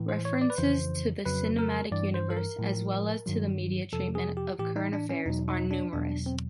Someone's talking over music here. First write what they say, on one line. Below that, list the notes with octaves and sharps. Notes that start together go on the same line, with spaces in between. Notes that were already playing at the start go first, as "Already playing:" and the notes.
References to the cinematic universe, as well as to the media treatment of current affairs are numerous.
Already playing: A2 E3
C5
C#5
D5
B4
F2 C#3 E3 C5
F2 C#3 F#3 B4
A#4
G2 E3 D5
C5
A4
A#4
A2 F3
G2 D#3 F#3
F2 C3 F3 A4
G#4
G4
A2 E3 G4
D#4
D4
C#4
E2 B2 F#3 D#4
D#4
D4
E2 B2 F#3 D4
C4